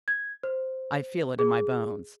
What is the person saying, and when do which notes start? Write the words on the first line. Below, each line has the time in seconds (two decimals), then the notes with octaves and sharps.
"I feel it in my bones."
0.08 G#6
0.43 C5
1.39 G#4